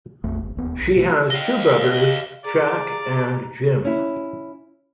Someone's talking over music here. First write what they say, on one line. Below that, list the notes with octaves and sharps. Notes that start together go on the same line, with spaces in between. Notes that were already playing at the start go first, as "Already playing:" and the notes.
She has two brothers, Jack and Jim.
A#1 F2 A3
G1
E1 D#2 B3
B1
B2 E3 A3
D#5 F5
G#4 A#4 D5 F5 A#5
C#4 E4